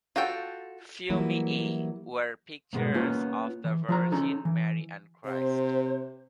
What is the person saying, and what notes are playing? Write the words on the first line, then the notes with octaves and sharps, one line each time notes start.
"Fumi-e" were pictures of the Virgin Mary and Christ.
F4 F#4 A4 G5
E3 F#3 G3 A#3 E4
G#2 B2 G#3 B3
A#3 B3 C#4 D#4 F4
E3
F3 F4 A#5
C#4 D#4 A4
E3
C3 C5